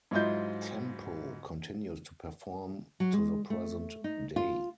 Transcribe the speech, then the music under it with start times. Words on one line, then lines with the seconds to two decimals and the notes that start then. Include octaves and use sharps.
Tempo continues to perform to the present day.
0.11 G#2 F#3 E4 F4 D#5 G6
3.00 F#3
3.13 G#3
3.50 A3
4.04 D#4
4.36 F4